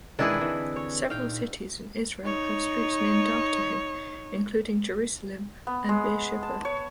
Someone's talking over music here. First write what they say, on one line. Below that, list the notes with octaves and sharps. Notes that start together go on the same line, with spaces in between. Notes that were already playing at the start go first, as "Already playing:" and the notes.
Several cities in Israel have streets named after him, including Jerusalem and Beersheba.
B2 D#3 E3 G#3 D4 E4 G#4 B4
D3 E3 C4 B4
C#5
A#2 D#4 F5 G5
D#4 C#5
B3
G#3
A5
C#5